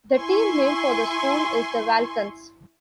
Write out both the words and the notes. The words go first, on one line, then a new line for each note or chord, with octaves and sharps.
The team name for the school is the Vulcans.
E4 G#5 C6 C#6